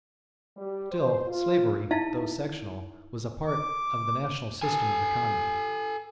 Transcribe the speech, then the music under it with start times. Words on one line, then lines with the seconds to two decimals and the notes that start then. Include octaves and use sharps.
Still, slavery, though sectional, was a part of the national system of economy.
0.57 G3
0.92 C5
1.28 F4
1.91 D#4 E4 E5 F5 A5
3.48 D6
4.62 A4 G#5